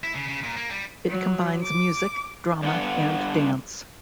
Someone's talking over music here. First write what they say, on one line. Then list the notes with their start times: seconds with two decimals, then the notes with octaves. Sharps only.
It combines music, drama, and dance.
0.04 E4
0.15 C#3
0.28 C#3
0.43 A#2
0.57 A#3
0.71 G3
1.09 F#3
1.62 D6
2.62 G2 D3 B3 F#5